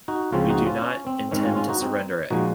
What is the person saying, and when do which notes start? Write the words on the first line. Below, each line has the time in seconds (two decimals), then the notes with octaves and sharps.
We do not intend to surrender it.
0.08 D#4 F#4
0.32 C#2 C#3 F3 C4 C#4 F4
0.49 D#4 F#4
0.66 C#4 F4
0.82 C#4
1.07 C4
1.31 G#2 D#3 G#3 C4 C#4
1.45 C#4 F4
1.56 C#4 F4
1.69 D#4 F#4
1.81 C4 D#4
2.30 A#2 F3 G#3 D#4 F#4